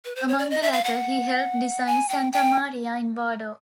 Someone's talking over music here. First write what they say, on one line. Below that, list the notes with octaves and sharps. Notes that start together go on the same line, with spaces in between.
Among the latter, he helped design Santa Maria in Vado.
B4
C5
C#5
D5
D#5
E5
F5
F#5
G#5
G5
G5